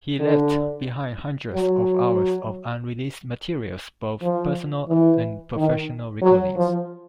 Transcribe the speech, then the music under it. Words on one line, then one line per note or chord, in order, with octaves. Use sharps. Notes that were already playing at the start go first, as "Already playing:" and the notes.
He left behind hundreds of hours of unreleased materials, both personal and professional recordings.
D3
F#3
F3
E3
D#3
F#3
F3